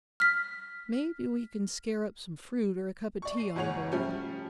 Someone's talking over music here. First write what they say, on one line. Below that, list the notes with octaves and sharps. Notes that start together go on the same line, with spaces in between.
Maybe we can scare up some fruit or a cup of tea on board.
F6 B6
D5 C#6
C7 D#7
F#1 G#2 G#4 C#5 F#5 F7
F3 G3 A3 C#4